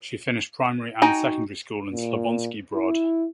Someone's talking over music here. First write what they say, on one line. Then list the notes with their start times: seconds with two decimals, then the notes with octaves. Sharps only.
She finished primary and secondary school in Slavonski Brod.
1.02 D#4 F#4 G5 G#5
1.92 A#2
2.74 E4